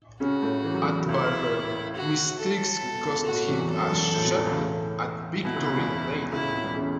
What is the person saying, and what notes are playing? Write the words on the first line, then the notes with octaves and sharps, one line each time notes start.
At Barber, mistakes cost him a shot at victory lane.
C#3 C#4 F#4
A2 A3
E3
F#3
E2 E3
C#2 C#3 E4
A2
F#4
A4
B2
B2
C#2 C#3
B2
A2 F#4
A2
E2 E3
E2 E3
F#2 F#3 A4
F#2 F#3
E2 E3
B2
A2
B2
E2 E3
C#2 C#3
A2
B2 E4
C#2 C#3
C#2 C#3
E2 E3
C#2 C#3 E4
A2
B2
E2 E3
C#3 C#4